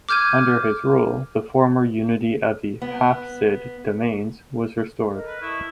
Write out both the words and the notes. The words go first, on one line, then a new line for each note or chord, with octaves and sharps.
Under his rule the former unity of the Hafsid domains was restored.
D6 F6 G6 G#6 D#7
B3
A4 A#4 D#5
B4
E4 A5 C#6 D#6